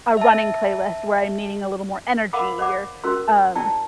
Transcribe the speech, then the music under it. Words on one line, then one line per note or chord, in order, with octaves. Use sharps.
a running playlist where I'm needing a little more energy or, um
E5 A5
A#4 F5 F#5 B5 D6
C5 D5 F#5 D6
C#4 F#4 A#4 C6
E4 D5 G5 A5